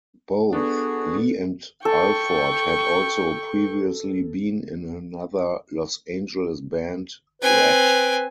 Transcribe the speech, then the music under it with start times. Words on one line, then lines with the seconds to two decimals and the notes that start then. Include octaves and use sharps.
Both Lee and Alford had also previously been in another Los Angeles band, Ratt.
0.53 B3 D4 F#4 G#4 A4
1.85 A4 G5 C#6
7.42 C4 B4 G#5